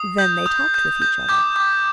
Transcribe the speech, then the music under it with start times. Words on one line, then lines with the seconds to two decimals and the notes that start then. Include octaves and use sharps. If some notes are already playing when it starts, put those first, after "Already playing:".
"Then they talked with each other."
Already playing: D#6
0.18 G6
0.46 D#6
0.74 G6
1.02 G6
1.29 D6 G6
1.56 D6